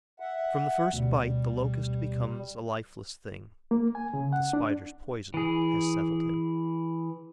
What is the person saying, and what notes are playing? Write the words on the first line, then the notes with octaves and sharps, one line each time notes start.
From the first bite, the Locust becomes a lifeless thing; the Spider's poison has settled him.
E5 F#5
D2 B2 G3
A#3
G#5
C#3
F#5
D4
E3 G#4